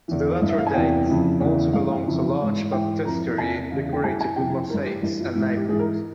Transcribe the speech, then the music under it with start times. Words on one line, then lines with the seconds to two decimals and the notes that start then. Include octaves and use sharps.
To the latter date also belongs a large baptistery decorated with mosaics at Naples.
0.08 E2 E3
0.42 G2 E3
0.49 E5
0.58 F5
0.66 G#5
0.74 E2 C3 E3 G5
1.08 F2 C#3 E3
1.40 E2 C#3 E3
1.73 G2 E3 F5
2.06 F2 C#3 E3
2.39 G#2 E3
2.72 G#2 E3 G5
3.05 F2 E3 A#5
3.38 E2 C3 E3 G#5
3.70 E2 C#3 E3 F5
3.93 G5
4.04 G2 E3 G#5
4.21 G#5
4.36 F2 C3 E3 G5
4.70 G2 E3 A#4
4.86 G4
5.02 G2 E3 E4
5.19 F4
5.35 G#2 E3
5.57 G4
5.69 G#2 G#4
5.72 E3
5.79 A#4